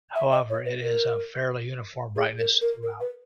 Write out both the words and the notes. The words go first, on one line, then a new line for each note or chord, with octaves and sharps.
However, it is of fairly uniform brightness throughout.
E5
D#5
C#5
B4
A#4
G#4
A#4
A#4
A#4
B4